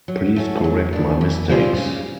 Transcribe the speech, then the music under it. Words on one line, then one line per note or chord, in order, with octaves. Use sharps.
Please correct my mistakes.
F#3
A3 C#4 F#4
F#3
B3 D4
E3
G3 C4 F4 G#4
C#3